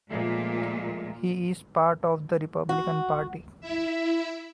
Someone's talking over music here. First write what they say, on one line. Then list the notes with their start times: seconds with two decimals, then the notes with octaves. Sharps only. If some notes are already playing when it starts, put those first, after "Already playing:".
He is part of the Republican Party.
0.11 A#2 F3 G#3 A3
2.69 F#4
3.61 E4 E5